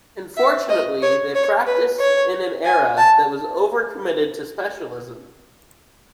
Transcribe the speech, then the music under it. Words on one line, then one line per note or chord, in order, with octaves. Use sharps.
Unfortunately, they practiced in an era that was over-committed to specialism.
E5
D#5
C#5
C#5
B4
C#5
G#5
A5